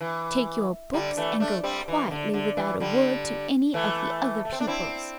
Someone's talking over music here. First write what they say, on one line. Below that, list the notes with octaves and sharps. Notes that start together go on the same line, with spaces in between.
Take your books and go quietly without a word to any of the other pupils.
E3
D3 G3
E3 A3
A3 D4
G3 C4
E3
E3
D3
D3
E3
D3 G3
E3 A3
A3
C4
D4
C4 E4